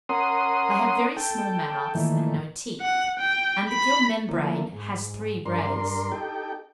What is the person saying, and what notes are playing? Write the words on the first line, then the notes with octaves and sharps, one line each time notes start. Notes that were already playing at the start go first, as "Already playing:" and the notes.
They have very small mouths and no teeth, and the gill membrane has three rays.
C#4 A#4 F#5 C6 D#6
A4 G5
A#2 D#3 E3 A3
F#5
G5
B5
D3 F3 A3 A#3 E4
G#2
G2 D4 A#4 C6
D#4 G4 A4 G5